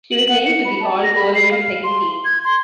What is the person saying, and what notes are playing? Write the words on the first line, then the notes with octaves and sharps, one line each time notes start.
She was named to the All-Tournament second team.
F#7
F#5
C#7
B5
A5
A#6
B5
C7
F5
C6
G#6
C6